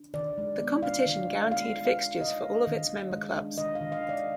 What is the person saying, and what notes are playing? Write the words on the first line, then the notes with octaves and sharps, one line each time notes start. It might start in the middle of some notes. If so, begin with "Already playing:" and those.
The competition guaranteed fixtures for all of its member clubs.
Already playing: D4
D#3 D5
G#3
B3
D4 F5
D#3
G#3
B3 F5
D4
F5
D#3
G#3 D#5
D4
D#3
D#3
G#3
D4
D#3 D#5
F5
D#3
F5
G#3
D5